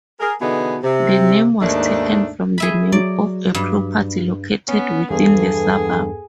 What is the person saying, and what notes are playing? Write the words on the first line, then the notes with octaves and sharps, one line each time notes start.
The name was taken from the name of a property located within the suburb.
G#4 A#4
B2 D3 E3 B3 D#4 G#4
C3
D#2 G#2 D#3 A3 D4
G#4 E5 B5
F#3 F#4 D5
G2
B3 C#4
E2 G2 B3 G#4 A4